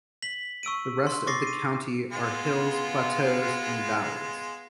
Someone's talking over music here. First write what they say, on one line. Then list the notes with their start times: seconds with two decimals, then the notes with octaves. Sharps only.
The rest of the county are hills, plateaus, and valleys.
0.22 B6 F#7
0.63 C#6 E6 D7 D#7
1.07 C6
1.27 C#6 D6 A6 A#6 C7
1.43 C7 D#7
2.12 G#3 B3 F4